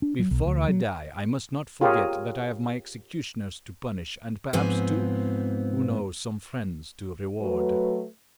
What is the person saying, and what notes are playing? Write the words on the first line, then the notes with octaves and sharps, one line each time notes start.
Before I die I must not forget that I have my executioners to punish, and perhaps, too, who knows, some friends to reward.
D4
F#3
B1
D2
F#3
F4 G4 G#4 A#4 C#5
G#2 F3 B3 C4 G#5
F#3 A3 F#4 B4